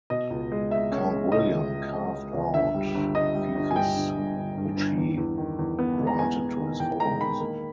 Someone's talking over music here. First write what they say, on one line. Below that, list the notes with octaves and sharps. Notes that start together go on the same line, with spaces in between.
Count William carved out fiefs which he granted to his followers.
B2 D#5
C#2
G#3
G#3 E5
C#4
G#3
C#2 D#5
G#3
G#3
G#3
G#3
C#2
G1 E5
G3
G1
G1 D#5
G3
G1
G#5
G2 G5
G1
G2
G1
G2
G1
E2
E2
D#3
E2
B3
G#3
A#5
E2 G#5
B3
D#3
E2 G5
G#3 A#5
D#3 B5
A#3